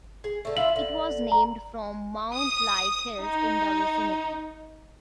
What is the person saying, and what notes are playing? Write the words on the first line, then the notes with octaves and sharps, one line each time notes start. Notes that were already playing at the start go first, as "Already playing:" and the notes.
It was named from mound-like hills in the vicinity.
G#4
D3 A3
E4 F4 E5 F#7
D3
A#5
D#6
D#4